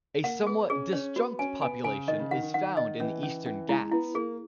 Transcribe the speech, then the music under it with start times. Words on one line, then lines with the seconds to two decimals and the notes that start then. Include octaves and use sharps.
A somewhat disjunct population is found in the Eastern Ghats.
0.23 A#3 F#5
0.47 B3 G#4
0.70 C#4 G#4
0.92 C#4 C#5
1.16 B3 F#4
1.39 C#4 G#5
1.61 B3 G#5
1.84 C#3 G#5
2.07 D#3 D#5
2.19 C#3
2.31 D#3 F#5
2.42 D#3
2.54 D#3 F#5
2.77 D#5
3.00 E3 C#4
3.23 C#4
3.46 E3 C#4
3.69 G#3 E4
3.92 B3 E4
4.15 A#3 G#4